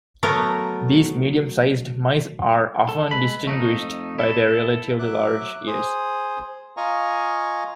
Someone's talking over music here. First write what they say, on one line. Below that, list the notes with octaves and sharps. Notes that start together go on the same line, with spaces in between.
These medium-sized mice are often distinguished by their relatively large ears.
F#3 A3 B3 A#4
A4
G#3 B4 B5
F2 A3 D#4
E4 A4
F#3 E5 D6 F#6
G#4 C5 D#6
F4 D#5 F5 G#5 A#5 C#6